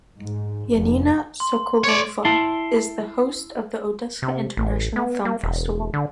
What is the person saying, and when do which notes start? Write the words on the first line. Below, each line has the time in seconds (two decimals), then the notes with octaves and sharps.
Yanina Sokolova is the host of the Odesa International Film Festival.
0.18 G#2
0.70 F1
1.40 C6
1.84 C#5 D5
2.25 E4 A5 C6
4.22 C3
4.57 A1
4.96 B3
5.25 A#3
5.43 E1
5.94 D3